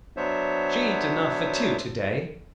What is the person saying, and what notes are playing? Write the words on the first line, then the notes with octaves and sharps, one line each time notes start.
She eat enough for two to-day.
F#3 B3 D4 C5 C#5 E5